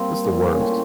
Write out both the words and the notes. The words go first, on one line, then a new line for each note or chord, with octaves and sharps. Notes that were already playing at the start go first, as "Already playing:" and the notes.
It's the worst.
Already playing: G3 A#3 C4
A#2
C#4
A2 C4